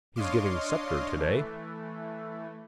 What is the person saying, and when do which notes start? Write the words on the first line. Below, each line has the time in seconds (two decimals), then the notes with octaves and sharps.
He's giving Sceptre today.
0.16 D4 C#5 D#5 F5 C6 D6
1.17 E3 A3